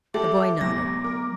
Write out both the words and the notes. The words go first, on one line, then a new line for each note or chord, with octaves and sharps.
The boy nodded.
G#3 G4 A4 E5 D6
E2 A2 C3 F#3 G#3 B3 A#6
A#4